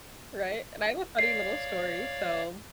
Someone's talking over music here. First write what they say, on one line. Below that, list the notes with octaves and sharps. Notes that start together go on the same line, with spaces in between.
Right? And I have a funny little story, so
C#5 D5 F5 C7